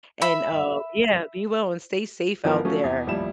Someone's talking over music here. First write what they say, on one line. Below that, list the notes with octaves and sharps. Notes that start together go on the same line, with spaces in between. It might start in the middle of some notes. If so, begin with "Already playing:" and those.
and, uh, yeah, be well and stay safe out there.
E5 B5
G#1 E3 F3 B3 A#4
F3 F#3 A3 C#4
E2
D#1 A1 F3 G3 E4 E7